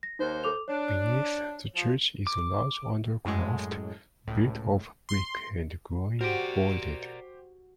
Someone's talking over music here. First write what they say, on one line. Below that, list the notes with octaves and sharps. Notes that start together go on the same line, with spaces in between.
Beneath the church is a large undercroft, built of brick and groin vaulted.
A#6
D#2 A#3 D#4 C5
A4 D6 F7
D4 C#5
F3
D6
F#2 A2 G#3
C#2 A2
C6
F#4 G4 A#4 C5 D5